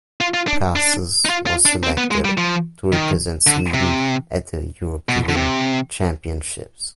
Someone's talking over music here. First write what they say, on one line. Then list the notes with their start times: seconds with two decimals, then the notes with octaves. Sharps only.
Castles was selected to represent Sweden at the European Championships.
0.21 F4
0.34 F4
0.48 D4
0.76 D4
1.25 D#4
1.30 F4
1.47 F4
1.66 D4
1.83 C4
1.97 B3
2.11 G#3
2.25 G3
2.38 F3
2.92 D#3
3.47 D3
3.74 C3
5.09 B2
5.29 D3
5.36 C3